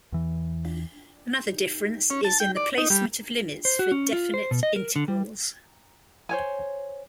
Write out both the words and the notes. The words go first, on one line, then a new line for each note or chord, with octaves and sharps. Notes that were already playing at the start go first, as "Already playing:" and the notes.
Another difference is in the placement of limits for definite integrals.
E2 E3
C#4
A5
G5
D5
D#4
G3
C5
F#4
C#4
F4
C5
B2
D#5
A#4
D3
G3
C5 C#5 G#5